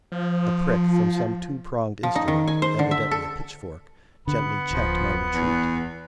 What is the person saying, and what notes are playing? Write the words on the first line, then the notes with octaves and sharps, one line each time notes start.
A prick from some two-pronged instrument, evidently a pitchfork, gently checked my retreat.
F3
F3
D#4
D#3
G#5
C5
D3
E5
A4
D3 B3
D1 F3
E2